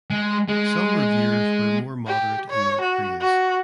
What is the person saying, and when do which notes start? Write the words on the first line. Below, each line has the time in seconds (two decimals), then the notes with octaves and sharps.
Some reviewers were more moderate in their praise.
0.10 G#3
0.49 G#3
2.07 G4
2.50 C#5
2.81 F#4
3.21 F#4